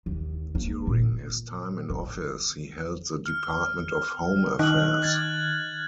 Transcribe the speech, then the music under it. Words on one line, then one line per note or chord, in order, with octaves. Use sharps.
During his time in office he held the Department of Home Affairs.
D#2
A#3
A#2
D3
F6
D#3 F#6 F#7
F#6 G#6 A6